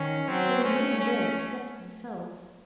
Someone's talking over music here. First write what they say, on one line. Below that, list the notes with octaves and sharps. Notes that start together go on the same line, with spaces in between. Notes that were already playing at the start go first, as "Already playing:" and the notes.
There was no one there except themselves.
Already playing: D#3 C#4
F#3 C4
A3 C#4
C#4